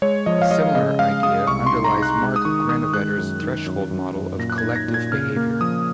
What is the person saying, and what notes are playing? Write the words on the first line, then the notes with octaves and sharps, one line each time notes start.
A similar idea underlies Mark Granovetter's threshold model of collective behavior.
G#3 C#5
F3 D#5
F5
G#3 D#5
C#3 D#5
G#3 F5
G#3 D#6
C2 C#6
C6
D#4
A#5
D#4
F#6
G#3
D#6
D#3 C#6
D#3 D#6
G#3 F#6
F#2
D#3
F#2
F#2
F#2
A#2 A#6
F#6
G#6
D#4
A#6
A#2
G#6
C#3 F6
A#3
F3 D#6